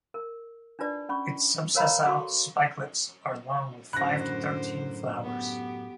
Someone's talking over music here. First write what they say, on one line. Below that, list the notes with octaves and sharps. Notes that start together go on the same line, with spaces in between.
Its subsessile spikelets are long with five to thirteen flowers.
A#4
D4 D#4 F4 B4 D5
C#4 B5 C#6
A#4 B4 C#5 F5 A#5 B5
F#4 A4 C6 C#6
F#2 A2 D3 C5 B5 F#6 A#6
B3 G4